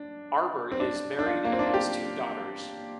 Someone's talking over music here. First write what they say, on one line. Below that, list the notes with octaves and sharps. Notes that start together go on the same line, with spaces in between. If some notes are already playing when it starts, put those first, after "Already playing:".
Arber is married and has two daughters.
Already playing: D4
C4
D4
D4
F4
A#3
C4
D4
F4
G4